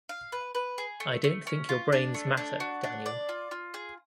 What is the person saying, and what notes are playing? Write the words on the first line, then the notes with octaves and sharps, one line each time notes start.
I don't think your brains matter, Daniel.
F5
B4
B4
G#4
A3
A3
C#4
F4
D4
A3
D4
F#4
D4
D5
F4
F4
G#4